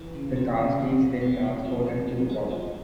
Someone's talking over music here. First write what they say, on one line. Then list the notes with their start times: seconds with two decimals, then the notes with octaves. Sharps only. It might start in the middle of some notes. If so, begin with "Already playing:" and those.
The cask is then transported to the pub.
Already playing: E3
0.15 C#3
0.36 F3
0.58 C#3
0.79 E2
1.01 B2
1.22 B3
1.43 C3
1.65 F3
1.86 C3
2.08 F3
2.30 G#3
2.51 F3